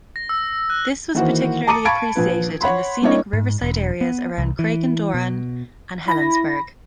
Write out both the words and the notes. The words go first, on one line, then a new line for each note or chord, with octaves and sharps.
This was particularly appreciated in the scenic riverside areas around Craigendoran and Helensburgh.
A#6
E6
F#6
D#3 E3 A#3 E4 F#4 C5
A5 A#5 D6 D#6 C#7 D#7
F5 A5 B5 C#6 G#6 D7
A#1 F3 B4
C#5 F#5 B5 C6
G3 A#3 D4 E4 C#5 D#5
G#2
E1
B3
C2
E3
B2
E4 B5 A#6